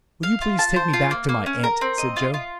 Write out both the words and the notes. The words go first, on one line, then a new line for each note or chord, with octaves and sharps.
"Will you please take me back to my aunt?" said Joe.
F5
F4
A5
C5
F4
A#3
A#3
C#4
A#4
C4
D#5
F4
F4